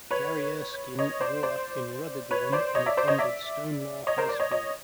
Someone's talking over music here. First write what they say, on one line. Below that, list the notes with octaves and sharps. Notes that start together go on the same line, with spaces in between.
Gary Erskine grew up in Rutherglen and attended Stonelaw High School.
B4 C#5
C#5 D#5
C5 D5
C5 D5
B4 C#5
C5 D5
C#5 D#5
D5 E5
C5 D5
C#5 D#5
D5 E5
C#5 D#5
A#4 C5
C5 D5
C#5 D#5
C#5 D#5